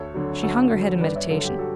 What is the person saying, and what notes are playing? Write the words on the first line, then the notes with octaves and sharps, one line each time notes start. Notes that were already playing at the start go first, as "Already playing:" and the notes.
She hung her head in meditation.
Already playing: D2 A4 C#5
D3 F#3
D2 F#4 A4
D3 F#3
G2 B4 D5
C#5 E5
D3 F#3 F#4 A4
G4
F#4 A4